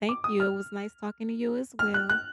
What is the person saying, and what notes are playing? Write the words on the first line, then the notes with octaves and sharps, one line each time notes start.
Thank you, it was nice talking to you as well.
D6
D#6
F6
F6
F#6
F#6